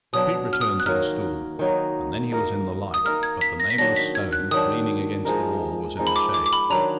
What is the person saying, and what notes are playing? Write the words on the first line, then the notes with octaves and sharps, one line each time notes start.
Pete returned to the stool, and then he was in the light, but the nameless stone, leaning against the wall, was in the shade.
B2 F#3 B3 D4 D#6
F6
D#6
F#6
D#3 F#3 A#3 D#4 F6
D#3 F#3 A#3 D#4
A#3 D#4 A#4
D#6
A#3 D#4 A#4 F6
G#6
B6
A#6
B6
D#3 F#3 D4 A#6
B6
G#6
F#6
D#3 F#3 D4 D#6
F3 G#3 D#4 A#4
F3 G#3 D#4 A#4
B5
D6
D6
D6
B5
D#3 F#3 D4 A#5